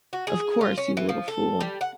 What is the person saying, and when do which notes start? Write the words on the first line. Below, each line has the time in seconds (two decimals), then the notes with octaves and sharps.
Of course, you little fool.
0.13 F#4
0.27 G#4
0.61 F4
0.78 C#4
0.97 E3
1.09 F3
1.28 A4
1.61 G3
1.81 F#5